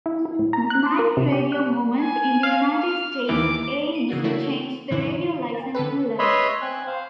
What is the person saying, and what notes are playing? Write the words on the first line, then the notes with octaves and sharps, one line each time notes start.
The Microradio Movement in the United States aims to change radio licensing laws.
E4
E4
A2
A#5
F#6
C6
A#4
C3
G4
F#6
G#5
F5
F6
D#2 E3 D6
D#7
C#3 E3 A#3 F#4
A3 A#3 E4 F#4 A4 C#5
F#2 A#2 D3 E3 E4
D3 B3 A4 B4
B4 C#5 D#5 E5 B5 C6
C4 G#5 F#6
C5 F5